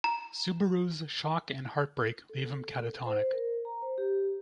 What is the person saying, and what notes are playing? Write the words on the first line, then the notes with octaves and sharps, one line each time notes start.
Subaru's shock and heartbreak leave him catatonic.
A#5
A4
C5
A#4
A#5
C5
G4